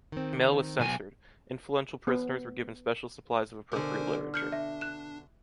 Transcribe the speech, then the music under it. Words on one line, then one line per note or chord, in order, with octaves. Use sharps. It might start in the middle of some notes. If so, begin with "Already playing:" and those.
Mail was censored; influential prisoners were given special supplies of appropriate literature.
D#3 C4
B1 G#5
B3
B2 D3 A#4 C5 G#5
D4 F6 G6 C#7
E5
F#6 E7